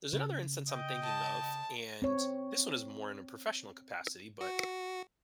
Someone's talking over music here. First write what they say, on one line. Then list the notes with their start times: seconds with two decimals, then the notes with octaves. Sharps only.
There's another instance I'm thinking of, and this one is more in a professional capacity, but
0.13 C#3
0.70 D#5 G5
1.03 A5
2.02 C4 C#5
4.41 F#4